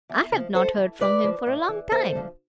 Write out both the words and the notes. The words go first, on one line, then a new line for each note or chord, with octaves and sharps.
"I have not heard from him for a long time."
E2
D3
F3
F2 A4 C5
E3
G#2 B4 D5
F3
A2
E3
E2 A4 C5
D3 F3